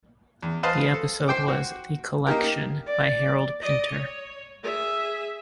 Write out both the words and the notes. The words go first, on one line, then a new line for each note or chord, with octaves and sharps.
The episode was "The Collection" by Harold Pinter.
E2
B4 C5 D#5 F5 A5 B5
A4
C5 G5 D6
F#4
A#3 D#4 G4 A#4
D5
D5 D#5
C#5
G#4 E5